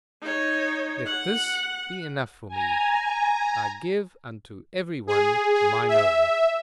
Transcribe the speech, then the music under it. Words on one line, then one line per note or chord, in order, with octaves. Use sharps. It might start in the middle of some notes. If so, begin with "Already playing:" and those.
Let this be enough for me: I give unto every one mine own.
D#4 C#5
F#5
G#5 A#5
G#4
G#4
E5